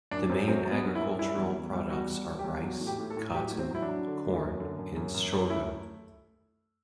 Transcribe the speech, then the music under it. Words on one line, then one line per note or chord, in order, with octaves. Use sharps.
The main agricultural products are rice, cotton, corn and sorghum.
F#2 D4
F#2 C4
F#3 C4
F#3
B3
F#2
E4
F#2
G3 E4
E2
E2
G3
E2 F#4
G3
G3
G4
E2
F#3
A2
G4
A2
A4
A2
F#3 G4
A2
C4
F#3 E4
D4
F#3
D3
A3
F#2
D3
F#2
F#2
F#2
F#2
A3 E4